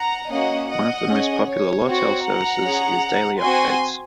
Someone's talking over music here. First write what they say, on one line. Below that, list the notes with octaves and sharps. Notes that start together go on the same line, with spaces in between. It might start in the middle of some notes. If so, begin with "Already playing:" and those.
One of the most popular Lawtel services is Daily Updates.
Already playing: F#5 A#5
A#3 C#4 F#4 D#5 F#5
D#5 F#5
C#4 G#4
C#5
C4 F#4
F#5 A#5
C#4 G#4
C4 F#4 G#5 C6